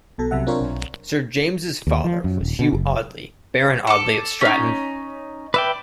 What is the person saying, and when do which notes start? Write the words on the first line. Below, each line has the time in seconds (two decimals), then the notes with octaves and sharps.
Sir James's father was Hugh Audley Baron Audley of Stratton.
0.18 B1 B2 A4
0.31 C2 C3 F#3 E5 F#5
0.47 C4 D4 F4 A#4 C5 C#5
0.61 B1
1.87 D#2
2.04 F3
2.24 F#2
2.41 D#1
2.59 B2
2.73 F#1
3.87 A4 D6
4.41 C#4 D#4
5.54 B4 D5 E5 G5